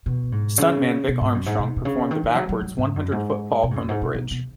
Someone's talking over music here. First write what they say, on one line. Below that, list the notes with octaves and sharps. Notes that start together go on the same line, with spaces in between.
Stuntman Vic Armstrong performed the backwards one-hundred-foot fall from the bridge.
B2
G#2
C#3
B2
G#2
F#2
G#2
B2
B2
C#3
D#3
D#3
F#3
F#3
G#2
G#2
F#2
G#2
B2
G#2
F#2
G#2
B2
B2
B2